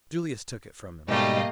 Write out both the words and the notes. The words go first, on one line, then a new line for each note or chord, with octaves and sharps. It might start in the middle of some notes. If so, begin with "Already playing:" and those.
Julius took it from him.
G#2 B2 G3 A3 A#3 G4 D#5 F5